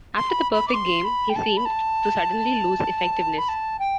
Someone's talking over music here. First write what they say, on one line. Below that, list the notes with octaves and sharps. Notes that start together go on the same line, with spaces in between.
After the perfect game, he seemed to suddenly lose effectiveness.
C6
B5
B5
D6
C6
B5
G5
A5
B5
A5
B5
A5
G5